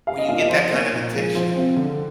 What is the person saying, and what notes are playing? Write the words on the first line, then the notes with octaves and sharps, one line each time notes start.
when you get that kind of attention,
G3 F5
D#5
A#3 D4 F4 F5
D#5
F3 C5
A#3 D#4
A#2
F3 G#3
F3 C5
C4 F4
D3